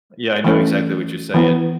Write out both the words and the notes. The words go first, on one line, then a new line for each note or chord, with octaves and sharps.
Yeah, I know exactly what you're saying.
E3 A3 C#4
E3 B3